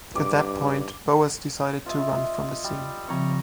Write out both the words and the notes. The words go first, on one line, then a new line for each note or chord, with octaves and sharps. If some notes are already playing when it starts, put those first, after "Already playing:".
At that point, Boas decided to run from the scene.
G2 D6
F4 D#5 E5
G3
C#3 F3 C4 A#5 C#6